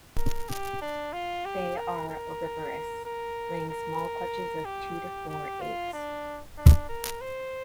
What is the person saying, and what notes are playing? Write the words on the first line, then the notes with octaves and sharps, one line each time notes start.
They are oviparous, laying small clutches of two to four eggs.
A#4
G4
D4
F4
G4
A#4
A#4
A#4
A#4
G4
G4
F4
D4
D4
A#4
C5